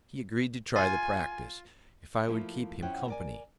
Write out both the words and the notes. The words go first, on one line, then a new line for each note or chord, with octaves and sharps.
He agreed to try the practice, if I would keep him company.
F4 G#5
F3 A3 A#3 E4 F4
F#2 F3 C#4 E4 F#5 G5
A#4 D5 G#5